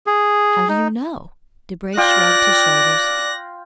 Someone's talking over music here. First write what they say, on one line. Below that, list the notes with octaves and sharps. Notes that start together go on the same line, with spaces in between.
"How do you know?" Debray shrugged his shoulders.
G#4
D#4
F4 D5 G5 F#6 A#6